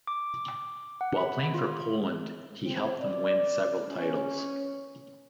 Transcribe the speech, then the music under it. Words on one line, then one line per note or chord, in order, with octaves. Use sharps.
While playing for Poland, he helped them win several titles.
D6
F#5
B5
F4
C4
D5
C#4